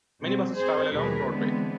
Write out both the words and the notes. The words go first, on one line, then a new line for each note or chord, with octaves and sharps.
Many buses travel along Broadway.
B2 G3 C4
C4 G#4 C5
D#2 B2 G3 G#4 A#4 B4
D3 E3 G#3 B3 C4